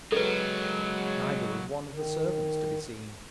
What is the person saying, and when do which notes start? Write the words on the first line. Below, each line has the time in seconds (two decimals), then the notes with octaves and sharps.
Neither was one of the servants to be seen.
0.12 C#3 F#3 G#3 A4 B4
1.91 D#3